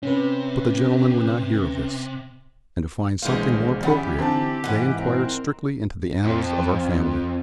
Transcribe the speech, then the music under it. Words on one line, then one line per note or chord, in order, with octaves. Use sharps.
But the gentlemen would not hear of this; and to find something more appropriate, they inquired strictly into the annals of our family.
C3 C#4 B4
A#1 B2 D3 E3 G#3 C5 F5
C#3 E3 G4 D5 F#5 B5
D3 C4 D4 D#4 A5
G#2 E3 F#5
C4 A#4
F2